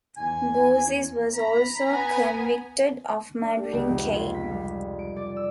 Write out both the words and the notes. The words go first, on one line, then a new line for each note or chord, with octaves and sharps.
Goussis was also convicted of murdering Caine.
E2 G#5
A#5 B5
B3 G#5
D4
G4
C#2
F1
F4
B6
G3
D7
D5
E6